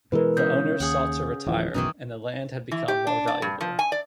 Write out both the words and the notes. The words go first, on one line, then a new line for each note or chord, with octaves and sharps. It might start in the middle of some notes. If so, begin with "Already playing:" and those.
The owners sought to retire, and the land had become more valuable.
B2 E3 G#3 A#4 B4
C#3 G6
D#2 G#4 F#5
D1 E3 F3
B1 F#2 B2 D#3 E3 D#4
E3
G4
D4
D5
G2
F3
G#5
D5